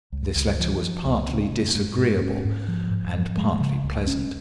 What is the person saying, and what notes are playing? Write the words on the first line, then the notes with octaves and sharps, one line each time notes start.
This letter was partly disagreeable, and partly pleasant.
C#2
C#2
F3
F3
C#2
C#3
G#2
G#2
G#2
C#4
G#2
F3
G#2
F3
G#3
C#3
C#2
C#4